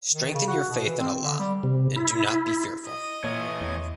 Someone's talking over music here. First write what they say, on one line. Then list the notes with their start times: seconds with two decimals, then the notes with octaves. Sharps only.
Strengthen your faith in Allah and do not be fearful.
0.10 D#3
0.34 C#3
0.48 F#4
0.70 B2
0.85 E3
0.99 C4
1.23 D3
1.39 G3
1.63 C3
1.96 E4
2.85 D#5
3.24 A#2 E3 C#5
3.61 E2